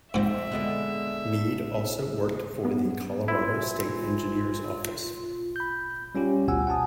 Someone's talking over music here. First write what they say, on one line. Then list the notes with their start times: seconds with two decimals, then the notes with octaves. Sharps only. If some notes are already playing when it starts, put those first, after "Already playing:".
Mead also worked for the Colorado State Engineer's Office.
0.14 F2 G#2 F3 C4 E5
0.52 D3 G#3 B3
2.65 B3
3.28 C4 E4 F4 G#5
5.56 B5 G6
6.15 G3 C#4 F4 G4
6.48 A1 D2 B2 F#5 G#5 E6
6.67 F#5 G#5 A5 D#6